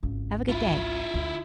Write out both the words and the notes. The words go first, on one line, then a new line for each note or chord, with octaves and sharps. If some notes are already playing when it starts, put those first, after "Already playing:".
have a good day.
G#1 C#2
E4 F4
D2